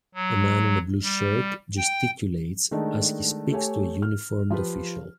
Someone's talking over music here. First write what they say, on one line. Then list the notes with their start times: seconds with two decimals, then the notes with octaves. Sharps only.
A man in a blue shirt gesticulates as he speaks to a uniformed official.
0.15 F#3
1.03 G3
1.77 G5
2.71 D#3 G#3 A3 D4 D#4
3.52 A3 G4 C#5 G#5
4.02 F6
4.50 F3 F4 G4 B4